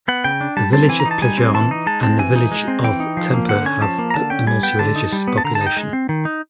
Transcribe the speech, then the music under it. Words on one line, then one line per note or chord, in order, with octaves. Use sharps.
The village of Plajan and The village of Tempur has a multi-religious population.
B3 F#5
C#3 G5
D4
G3 A5
C4 A5
E3 G#5
A#5
D#4
A5
G3 G#5
C4
E3 A5
D#4
G#3 A5
C4 A5
E3 G#5
D#4
G#3
C4
E3 G5
D#4
F3
A#3
D3 F#5
C#4 G#5
F3 A5
A#3
A#5
D3 A5
C#4 G5
G3 G#5
B3 G5
D3 A5
D#4
G3
B3
A5
D3 A#5
A5
D#4
G5
G#3
C4
D#3
D#4